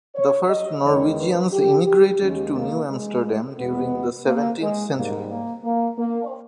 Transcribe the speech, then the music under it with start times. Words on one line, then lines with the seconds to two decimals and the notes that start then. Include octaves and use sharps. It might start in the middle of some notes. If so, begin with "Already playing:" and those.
The first Norwegians immigrated to New Amsterdam during the seventeenth century.
0.15 C#5
0.49 D#5
0.84 E2 D#3 G#3 C#5
1.19 B4
1.53 G4
1.87 G4
2.21 D#2 D#3 G#3 C#4
2.56 A#3
2.90 G#3
3.59 E2 B2 G#3 B3
4.26 A#3
4.61 G#3
4.96 G#2 G3 A#3
5.30 A#3
5.64 A#3
5.99 A#3